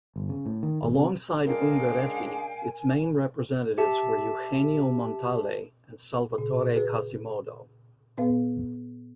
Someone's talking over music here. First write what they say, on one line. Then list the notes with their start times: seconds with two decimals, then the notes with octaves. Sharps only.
Alongside Ungaretti, its main representatives were Eugenio Montale and Salvatore Quasimodo.
0.16 G1
0.29 C#3
0.46 A2
0.63 D#3
0.82 G#1
0.94 C3
1.47 C#3 G#3 D4 A#4 F5 G5 G#5
3.78 G4 E5 A5
6.38 A#2 C#3
6.75 F#4 G#4 B4
8.18 A#2 B3 B4 F5